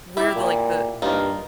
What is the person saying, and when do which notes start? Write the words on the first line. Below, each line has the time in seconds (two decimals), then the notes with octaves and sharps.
where the, like, the
0.17 E4 G4
0.36 A#2
1.02 G2 A#3 D#4 F4